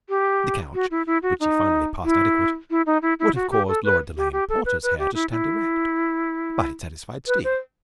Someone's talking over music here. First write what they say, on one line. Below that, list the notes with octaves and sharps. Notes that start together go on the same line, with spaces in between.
The couch which he finally passed adequate would have caused Lora Delane Porter's hair to stand erect, but it satisfied Steve.
G4
F#4
E4
E4
F#4
D#4
E4
E4
D#4
E4
E4
F#4
G4
A4
B4
G4
G4
A4
B4
B4
G4
E4
E4
B4
C5